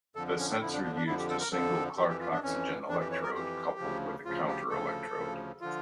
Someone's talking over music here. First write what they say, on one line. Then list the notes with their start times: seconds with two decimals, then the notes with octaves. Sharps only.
This sensor used a single Clark oxygen electrode coupled with a counter-electrode.
0.15 F2 D3 F3 A4
0.28 D4
0.39 C#4
0.50 D4
0.61 F2 D3 F3 E4
0.73 D4
0.84 D4
0.96 D4
1.06 F2 D3 F3 E4
1.18 G4
1.29 A4
1.40 A#4
1.52 F2 D3 F3 A4
1.97 F2 E3 G4
2.09 G4
2.20 F4
2.32 D4
2.43 F2 E3 C#4
2.88 F2 E3 D4
3.00 G4
3.11 C#5
3.23 A#4
3.34 F2 E3 G4
3.79 D2 C#3 F3
4.25 D2 C#3 F3 F4
4.48 G4
4.70 D2 C#3 F3 A4
5.15 D2 C#3 F3
5.61 D3 F3 F4